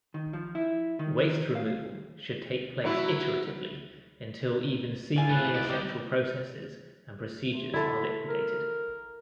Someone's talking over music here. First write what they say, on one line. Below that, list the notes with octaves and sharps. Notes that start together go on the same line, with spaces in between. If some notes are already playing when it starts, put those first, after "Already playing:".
Waste-removal should take place iteratively until even seemingly essential processes and procedures are liquidated.
D#3
F3
E4
D#3
F5
F#3 E4
C3 E4 F5 G#5 A6
A2 B4
C#2 D#4 D5
G3 D#4 G4
C3
D3 E4 A4
A#4